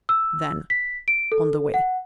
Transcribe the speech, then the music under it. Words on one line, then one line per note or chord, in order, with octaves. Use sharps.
Then, on the way.
E6
B6
D7
A4
F#5